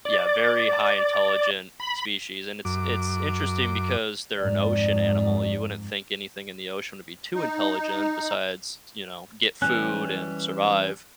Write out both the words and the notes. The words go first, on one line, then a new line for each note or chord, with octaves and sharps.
Yeah, very high intelligent species, and it's it's interesting because they're an ocean animal, you wouldn't think anything in the ocean would be too intelligent besides, you know, get food and survive.
D5
B5
F#2 D6
F2 G#2 D5
D#4
E3 G3 C#4 F#6